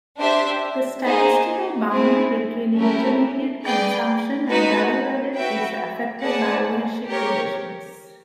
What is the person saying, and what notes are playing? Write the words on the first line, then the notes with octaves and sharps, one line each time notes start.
The statistical boundary between intermediate consumption and value added is affected by ownership relations.
D4 G4 C5 E5
A#3 D#4 G#4 C5
C4 E4 G#4
A3 C#4 E4 G4 A#4
G#4 B4 D5 G5
D#4 F#4 B4
F#4 B4 E5 G5
G#4 B4 D5 F#5 A5
G4 A#4 C#5